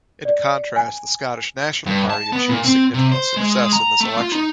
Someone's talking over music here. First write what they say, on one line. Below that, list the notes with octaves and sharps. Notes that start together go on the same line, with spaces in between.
In contrast the Scottish National Party achieved significant success in this election.
D5
G#5
G2
A5
B3
A#2
C4
C3
C5
G#3
A#5
A3
F4
D#4